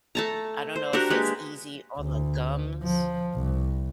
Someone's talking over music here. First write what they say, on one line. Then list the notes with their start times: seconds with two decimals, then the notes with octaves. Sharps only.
I don't know if it's easy on the gums,
0.15 A3 A5 A#5
0.76 C5
0.93 D4 F#4 G4 A#4
1.10 G#3 A#3 G4 B4
1.99 D2
2.83 F3
3.35 C2